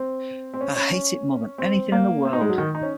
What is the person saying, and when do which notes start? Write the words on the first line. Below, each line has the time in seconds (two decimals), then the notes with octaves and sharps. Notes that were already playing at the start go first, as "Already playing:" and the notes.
I hate it more than anything in the world.
Already playing: C4
0.54 C4
0.61 C#4
0.76 C#4
0.93 C#4
1.58 C4
1.92 A#3
2.25 C4
2.33 D#4
2.41 G#3
2.49 F#3
2.58 D#3
2.75 D#4
2.83 C#4